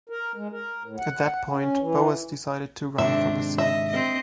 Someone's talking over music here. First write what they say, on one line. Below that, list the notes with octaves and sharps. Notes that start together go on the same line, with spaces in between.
At that point, Boas decided to run from the scene.
A#4
G#3
A#4
A2
F#5
C#4
E3
G#2 C3 D#3 C4 D4 E5
D#5 E5
C4 D#5